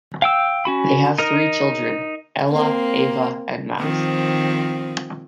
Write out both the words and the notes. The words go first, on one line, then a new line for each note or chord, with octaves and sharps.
They have three children-Ella, Ava and Max.
F5 G5 E6
C#4 F#4 B5
D#4 A#4 D#5
A#3 C4
D#3 F3 C4